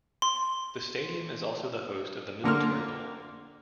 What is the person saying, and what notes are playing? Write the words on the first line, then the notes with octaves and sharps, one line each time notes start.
The stadium is also the host of the Military Bowl.
C6
D3 A#3 C6 F6